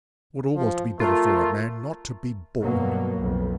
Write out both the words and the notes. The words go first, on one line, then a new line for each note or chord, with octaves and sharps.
It would almost be better for a man not to be born.
F3
A3 F4 A#4
G2 B2 F#3 A#3
B1 F2